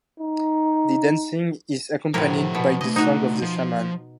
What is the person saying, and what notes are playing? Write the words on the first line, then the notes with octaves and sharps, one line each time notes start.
The dancing is accompanied by the song of the shaman.
D#4
A2 C3 F3 A#4 F#5
B2
C#3 A3 D#5
D#4 F#4
F3